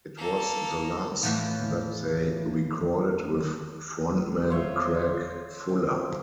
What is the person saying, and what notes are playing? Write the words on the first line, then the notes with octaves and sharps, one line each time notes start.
It was the last that they recorded with frontman Craig Fuller.
A#3 A4
A2 E3 F3
F4 C5 C#5 E5
C4